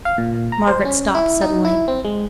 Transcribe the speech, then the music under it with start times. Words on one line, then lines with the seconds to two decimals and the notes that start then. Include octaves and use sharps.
Margaret stopped suddenly.
0.05 F5
0.18 A#2
0.52 A#5
0.67 C5
0.85 C#4
1.15 E4
1.41 D#4
1.65 E4
1.88 C4
2.05 G#3